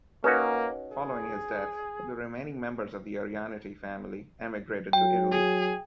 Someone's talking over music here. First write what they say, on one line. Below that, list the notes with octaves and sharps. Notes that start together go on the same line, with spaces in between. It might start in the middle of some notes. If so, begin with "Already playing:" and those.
Following his death the remaining members of the Arianiti family emigrated to Italy.
A#3 C#4 D#4 F#4 B4
G#4
F#3 G5
G#4